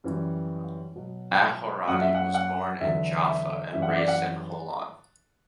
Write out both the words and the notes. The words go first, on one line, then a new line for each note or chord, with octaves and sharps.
Aharoni was born in Jaffa and raised in Holon.
F#2 E3 G3
B2 F#3
F#2 F#3 F#5
E5
F#5
F#5
E2 D3 F#3 E5
E5
F#2 E3 G3 E5
F#5
E5
D5
F#5